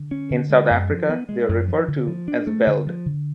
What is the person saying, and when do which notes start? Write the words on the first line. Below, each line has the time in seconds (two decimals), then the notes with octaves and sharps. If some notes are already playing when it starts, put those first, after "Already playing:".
In South Africa they are referred to as veld.
Already playing: D3
0.11 C#4
0.30 D3
0.50 G#3
0.70 F#2
0.90 F3
1.09 B3
1.29 G#3
1.49 F#2
1.68 F3
1.88 D3
2.08 F3
2.28 D4
2.47 A3
2.67 D3
2.87 F3
3.06 D3